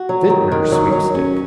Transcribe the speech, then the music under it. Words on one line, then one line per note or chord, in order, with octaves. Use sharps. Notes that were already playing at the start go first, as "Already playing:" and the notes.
Vintners' sweepstake.
Already playing: F#4
F#3
D#3
D#3
F#3
F#3
C#4